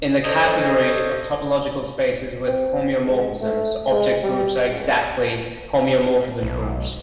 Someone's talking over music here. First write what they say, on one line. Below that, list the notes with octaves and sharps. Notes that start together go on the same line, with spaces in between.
In the category of topological spaces with homeomorphisms, object groups are exactly homeomorphism groups.
D4 A4 C5 C#5 D#5
C4
G#2
A3
G#3
G3
C#2
B1